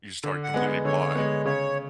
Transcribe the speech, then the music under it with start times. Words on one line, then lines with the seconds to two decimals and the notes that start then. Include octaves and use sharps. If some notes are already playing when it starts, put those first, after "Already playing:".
you start completely blind
0.23 D3
0.44 F#5
0.54 G#3 B3
0.85 D3 C#5
1.15 G#3 B3
1.45 C#3 C#5